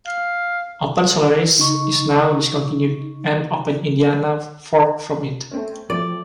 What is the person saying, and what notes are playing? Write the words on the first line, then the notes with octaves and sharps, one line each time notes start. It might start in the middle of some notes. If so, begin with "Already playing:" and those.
OpenSolaris is now discontinued and OpenIndiana forked from it.
F5
C#3 D#4 C#6
A3 C4 C#4
F3 A3 C4 D5